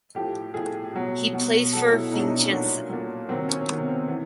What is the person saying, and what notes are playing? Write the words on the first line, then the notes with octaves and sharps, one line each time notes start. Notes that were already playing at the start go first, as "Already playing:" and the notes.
He plays for Vicenza.
A2 F3 G4
A2 F3 G#4
B2 F#3
B2 F#3
B2 F#3 A4
E4
B2 F#3 D4 D#4
D#4
C#4
A#2 F#3 D4
A#2 F#3
C3 D#3 F#3 C4
C#4
C3 D#3 F#3 B3
C4
E3 B3